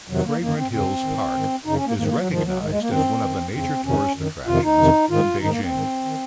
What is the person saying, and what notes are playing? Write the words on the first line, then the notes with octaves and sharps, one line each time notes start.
Fragrant Hills Park is recognized as one of the major tourist attractions in Beijing.
F2 C3 D#3 F#3
A#3
F#2 D#3 A#3
C4
F2 C#3 C4
G#2 D#3
G#2 D#3
F#2 C#3 D#4
C#4
A#3
G#2 D#3 A#3
A#3
F#3
G#2 D#3 F3
F#3
G#2 D#3 G#3
G#3
A#3
F#2 D#3 C4
F#2 D#3
F2 C#3 C4
F2 C3 D#3 C#4
F#2 D#3
F2 C3 D#3 F4
D#4
F2 C3 D#3
G#2 D#3 F4
G#2 D#3 D#4
A#3
C4
G#2 D#3
D#3